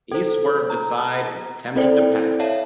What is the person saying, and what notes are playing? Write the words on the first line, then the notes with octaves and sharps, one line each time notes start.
He swerved aside, and attempted to pass.
A4 C5
A#5
C4 E4 A4 C5 D5 G5
C#5 E5 F5 A5